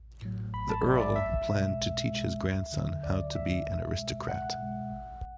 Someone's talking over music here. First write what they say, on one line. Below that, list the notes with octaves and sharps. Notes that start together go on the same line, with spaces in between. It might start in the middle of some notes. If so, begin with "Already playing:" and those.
The Earl planned to teach his grandson how to be an aristocrat.
Already playing: A1
A2 F#3 A3
A1 B5
A5
A2 F#3 A3 D5
E5
D5
B1 E5
B2 G#3
B1
B2 G#3
D2
D3 F#3
D2 D5
D3 F#3 E5
B1
B2 G#3
B1 F#5
B2 G#3
A1